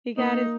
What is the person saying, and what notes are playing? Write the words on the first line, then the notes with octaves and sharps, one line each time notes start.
he got his
A#3 D#4